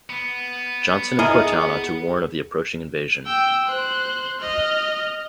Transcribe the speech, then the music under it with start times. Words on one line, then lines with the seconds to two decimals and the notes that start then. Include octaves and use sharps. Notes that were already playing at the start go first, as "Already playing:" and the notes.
Johnson and Cortana to warn of the approaching invasion.
0.10 B3 D#7
1.19 E4 G#4 A#4 D#5
3.26 G5 E6
3.66 C5 F#6
4.41 D#5 F6